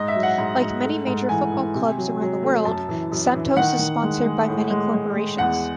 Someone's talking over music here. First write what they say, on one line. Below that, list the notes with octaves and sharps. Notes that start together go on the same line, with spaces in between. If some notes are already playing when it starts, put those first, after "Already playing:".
Like many major football clubs around the world, Santos is sponsored by many corporations.
Already playing: G#2 D#5
E5
F#3
F#5
G#2
G#2
A3
G#2
E3 G#5
E3
C3
F#3
F#3
A3
F#2 A5
E3
F#2
E3
D#3 F#5
D#3
G#3
G#3
A2
G#3
G#3
G#3
E2 F#5